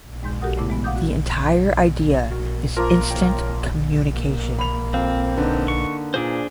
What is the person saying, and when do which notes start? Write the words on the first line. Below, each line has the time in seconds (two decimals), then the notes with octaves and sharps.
The entire idea is instant communication.
0.23 D#2 G#2 G#3 C6 G6
0.42 F#4 G4 A4 A#4 F#5 D#6
0.57 A2 C#3 A3 B3 E4 D6
0.69 E3 G#3 B3
0.84 F5 F#5 D6 D#6 G6
0.96 F#4
2.31 F#4 A#4
2.77 F3 A#3 F4 A#4
3.10 G#1 C#5 G5
4.12 A#3
4.59 B5 F7
4.94 F2 C4 F5
5.38 D3 D#4 B4
5.68 C#6
6.14 A#2 D4 G#4 C5